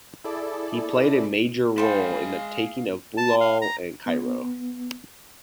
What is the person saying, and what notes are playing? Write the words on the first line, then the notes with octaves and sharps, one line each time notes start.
He played a major role in the taking of Bulal and Cairo.
E4 G#4 A4 D5
G#3 G#4 C5 F5 G5 B5
A5
F5
A#5
B3